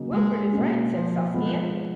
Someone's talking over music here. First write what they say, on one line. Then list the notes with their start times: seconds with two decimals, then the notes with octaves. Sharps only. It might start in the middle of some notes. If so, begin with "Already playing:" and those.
"Wilfred is right," said Saskia.
Already playing: C#3 F#3 A#3 D#4
0.12 G#3
0.53 B2 A#3 C#4
0.93 F3
1.34 F3 G#3 B3